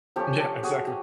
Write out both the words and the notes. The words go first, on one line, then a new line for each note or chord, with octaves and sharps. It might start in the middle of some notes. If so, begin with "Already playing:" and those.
Yeah, exactly.
F3 A#3 C#4 G4 A4
G4 A4
F#4 G#4
G4